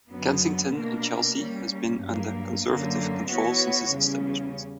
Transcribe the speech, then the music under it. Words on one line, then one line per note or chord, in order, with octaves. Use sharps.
Kensington and Chelsea has been under Conservative control since its establishment.
F#2 D3 F#3 B3
B2 A#3 D4 A#4
G3 A#3 C#4
G2 F#3 A#3
F#2 D3 A#3
E3 B3 F#4 C#5
E2 C#3 G3 C#4